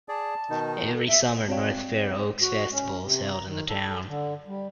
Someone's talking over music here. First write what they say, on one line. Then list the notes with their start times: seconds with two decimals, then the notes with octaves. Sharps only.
Every summer, North Fair Oaks Festival is held in the town.
0.09 G#4 D5 A5
0.50 B2 D#3 D#4
0.93 A4
1.07 E5
1.48 C4 C#5 D5 F5 G5
2.42 F#4
2.72 C#4
3.03 C3
3.31 A#5
3.48 D#3
3.68 A4
4.08 D3
4.48 G3